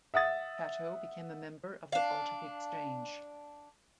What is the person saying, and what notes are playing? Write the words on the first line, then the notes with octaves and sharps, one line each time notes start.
Catto became a member of the Baltic Exchange.
E5 F#5 D#6 A6
D4 F5